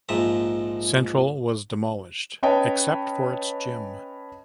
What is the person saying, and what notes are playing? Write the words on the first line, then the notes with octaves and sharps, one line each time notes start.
Central was demolished except for its gym.
A#1 G#2 F3 E5 A#5
C#4 B4 C#5 D#5 G5 A5